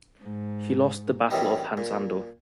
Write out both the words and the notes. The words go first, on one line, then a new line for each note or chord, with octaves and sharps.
He lost the battle of Hansando.
G#2
F#2 A2 C3 E3 G3 D#4
A#2